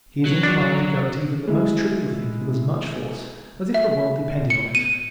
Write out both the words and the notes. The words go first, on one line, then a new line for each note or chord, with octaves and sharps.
He is inclined to go at even the most trivial things with as much force as if the world depended on it.
F#3
D4
G#3 E4
E5
C#7
D#7